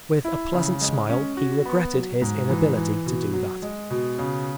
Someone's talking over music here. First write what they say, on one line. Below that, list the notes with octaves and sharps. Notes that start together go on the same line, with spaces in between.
With a pleasant smile he regretted his inability to do that.
E4
C#3
G#3
C#4
F#4
B3
F#3
G#2
E3
E3
B2
F#3
G#3
B2
C#3